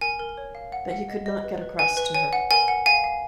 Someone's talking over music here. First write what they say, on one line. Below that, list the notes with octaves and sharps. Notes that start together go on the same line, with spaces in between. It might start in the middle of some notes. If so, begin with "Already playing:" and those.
But he could not get across to her.
A#4 G#5
A#4
C#5
F5
F#5
F#5
D#5
D#5
B4
B4
B4 G#5
B4
C#5 G#5
F#5
A#4 G#5
F#5
F5 G#5
F5